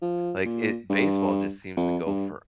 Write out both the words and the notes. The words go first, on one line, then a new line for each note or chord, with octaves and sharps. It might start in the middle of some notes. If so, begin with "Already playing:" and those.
like, it baseball just seems to go for
F3
A#2
G2
F2
G2